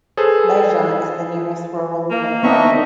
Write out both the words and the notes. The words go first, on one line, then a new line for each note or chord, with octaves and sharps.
Lezha is the nearest rural locality.
G#4 A4 B4 C5
A#3
B3 C4 D4 D#4 D#5 E5 C#6